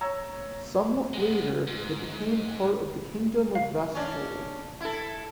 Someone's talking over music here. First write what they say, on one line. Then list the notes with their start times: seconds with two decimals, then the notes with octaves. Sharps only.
Somewhat later, it became part of the kingdom of Vestfold.
0.01 C#5 A#5 E6
1.14 G#3 B3
1.67 G#2
3.55 F5
3.95 C#4 D4
4.81 E4 A4